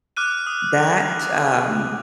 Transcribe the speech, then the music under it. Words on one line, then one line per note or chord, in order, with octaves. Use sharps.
that, um,
D6 F6 F#6 D#7
D#6